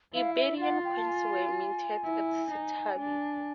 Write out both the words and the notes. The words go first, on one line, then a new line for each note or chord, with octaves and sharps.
Iberian coins were minted at "Setabi".
E4 F5
E5
F4 F#5
G5
A5
G#5
E4
D#4
D4